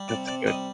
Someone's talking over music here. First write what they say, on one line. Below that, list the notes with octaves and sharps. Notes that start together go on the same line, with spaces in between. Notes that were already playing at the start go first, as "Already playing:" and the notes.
That's good.
Already playing: G3
C3 D5
C3 D5
G3 D#5